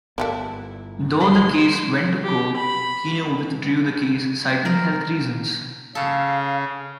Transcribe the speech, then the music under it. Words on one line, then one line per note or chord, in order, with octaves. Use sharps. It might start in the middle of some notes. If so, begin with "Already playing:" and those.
Though the case went to court, Kenu withdrew the case citing health reasons.
G1 A#3 B3 E4 G4 A4 B4 D5
B2 F#3 G#3 C6
G4
B5
A#4
C#3 A4 F5